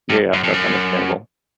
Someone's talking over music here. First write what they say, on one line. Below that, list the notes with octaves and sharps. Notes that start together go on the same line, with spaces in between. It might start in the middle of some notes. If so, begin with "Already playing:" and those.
Yeah, yeah, that's understandable.
G2
F#2
F2
F#2